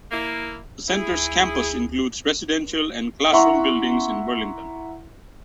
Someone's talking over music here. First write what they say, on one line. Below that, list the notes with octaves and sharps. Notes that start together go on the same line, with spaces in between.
The center's campus includes residential and classroom buildings in Burlington.
A#3 E4
E1
E4 G#4
D2
E4 E5 F#5 A#5 C6 C#6